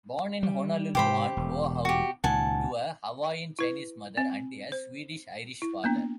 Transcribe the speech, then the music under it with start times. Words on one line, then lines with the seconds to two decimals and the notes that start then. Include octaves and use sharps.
Born in Honolulu on Oahu to a Hawaiian-Chinese mother and a Swedish-Irish father.
0.43 G3
0.95 G#2 C3 G4 C5 B5
1.37 E1
1.85 F#4 G4
2.24 C#2 A#2 D#3 F#5 G#5 A5
3.59 E4 B4
4.17 C4
4.72 C5
5.62 E4
5.84 A#3 B3 D4